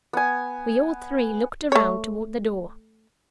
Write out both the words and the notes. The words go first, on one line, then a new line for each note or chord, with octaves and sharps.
We all three looked around toward the door.
B3 G#5
A3 C#5